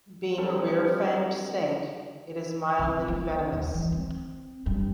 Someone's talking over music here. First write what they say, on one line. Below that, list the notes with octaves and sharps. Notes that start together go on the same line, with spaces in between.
Being a rear-fanged snake, it is mildly venomous.
G3 C4 D4 A4 A#4
C2
B3
D#2
E3
C4
G2